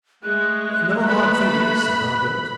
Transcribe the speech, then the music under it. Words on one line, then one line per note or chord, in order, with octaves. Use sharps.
"No hard feelings, Sir Hawerburch."
G#3 A3 F#6
A#3 A4 B4 B5